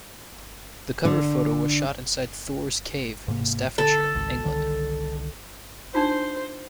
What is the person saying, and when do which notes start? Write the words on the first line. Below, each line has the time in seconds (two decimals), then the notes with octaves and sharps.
The cover photo was shot inside Thor's Cave in Staffordshire, England.
1.05 D3
3.28 G#2 C3 A#3
3.78 D3 A4
4.15 G#1 C#2
4.45 C2 D3 D#3
5.95 D4 D#4 F4 C5